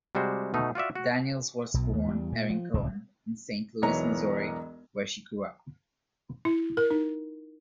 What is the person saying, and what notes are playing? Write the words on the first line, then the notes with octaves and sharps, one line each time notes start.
Daniels was born Erin Cohen in Saint Louis, Missouri, where she grew up.
C3 G3 G#3 F#4 C5
B2 A3 D#4
F4 F#4 D5 E5
F#4
B1 B2
D#2
E2 G3
A#2
F3
D1 C2 C#3
E1 B1 E3 C#5 A#5
E4
A#4
D#4